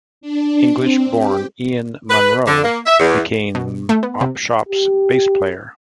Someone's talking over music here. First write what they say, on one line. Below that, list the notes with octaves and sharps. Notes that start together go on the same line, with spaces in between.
English-born Ian Munro became Opshop's bass player.
D4
C4
G4
B4
D3
A#3
E5
E2
B2
A3
B3
C3
G4